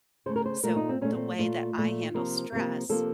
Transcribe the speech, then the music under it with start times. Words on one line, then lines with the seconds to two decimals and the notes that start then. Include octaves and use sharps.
So, the way that I handle stress
0.26 C#3 A3 C5
0.36 A#4
0.46 C5
0.64 A#2 A3 A#4
0.76 D#4
0.89 C4
1.01 A#2 A3 C#4
1.14 C4
1.39 A#2 A3 F4
1.77 A#2 A3
2.14 C3 F3 A#3 A#4
2.52 C3 F3 A#3
2.89 C3 F3 A#3 A4